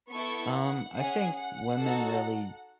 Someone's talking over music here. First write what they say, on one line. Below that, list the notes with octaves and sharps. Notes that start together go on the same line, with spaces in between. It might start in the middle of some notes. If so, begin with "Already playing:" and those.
Um, I think women really
B3 E4 A4 C#6
F#5
C#4 G#4 F#5
F#5
D#4 F#4 A4